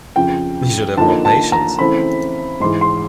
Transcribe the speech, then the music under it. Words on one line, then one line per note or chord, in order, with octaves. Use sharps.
You should have more patience.
F2 C#3 F3 G5
D3 F3 A#3 D#4 A5
A5
A#5
C#3 E3 A3 C4 E4 B5
G#2 E3 G#3 C6
C6